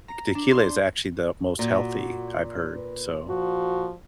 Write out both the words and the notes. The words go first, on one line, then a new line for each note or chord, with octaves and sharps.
tequila is actually the most healthy, I've heard. So,
A#5
D4
C6
A#2 F#4
B4
F3 F#4